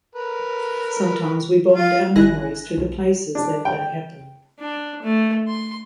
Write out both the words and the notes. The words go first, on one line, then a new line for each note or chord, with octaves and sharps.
Sometimes we bond our memories to the places that they happen.
A#4 B4 A#5
F4
G#1 D#3 E4 G#5 F#6 A#6
B1
D4
G5
D4
A3
C6